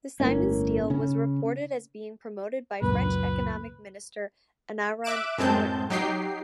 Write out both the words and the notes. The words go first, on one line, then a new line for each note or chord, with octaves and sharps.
The Siemens deal was reported as being promoted by French economic minister Arnaud Montebourg.
G1 A2 A#3 C#4
C#3 C#4
C#2 F#2 A#2 B4
E5 D6 F#6 D7 E7
F#2 A2 G#3 C4 A5 G6
F#3 D#4 G4 G5 C7